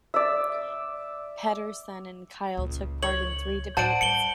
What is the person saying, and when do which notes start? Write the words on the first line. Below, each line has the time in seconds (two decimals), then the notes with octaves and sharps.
Pederson and Kyl took part in three debates.
0.14 D5 E5
2.57 C#2 A#2
3.03 C#5 F#7
3.77 A2 C5 D5 F#5 A5 D7
4.01 G3 C#7 F#7 G7